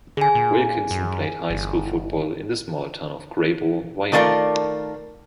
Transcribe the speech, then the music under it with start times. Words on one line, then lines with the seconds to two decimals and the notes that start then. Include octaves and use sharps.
Wilkinson played high school football in the small town of Greybull, Wyoming.
0.17 D3 G#4 G#5
0.35 A#2
0.91 F#2
1.50 G1
4.12 D#3 A3 D4 F4 A#4 D5